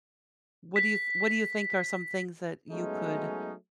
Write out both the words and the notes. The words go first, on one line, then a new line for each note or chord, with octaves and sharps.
What do you th what do you think are some things that you could
B6
F#3 G#3 A3 B3 C#4 D#4